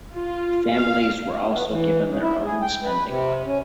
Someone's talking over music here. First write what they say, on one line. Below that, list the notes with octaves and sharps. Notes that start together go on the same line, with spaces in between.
Families were also given their own spending money.
F4
F5
B3
E3
C#3
E4
G#4
G5
B4
C3
C#4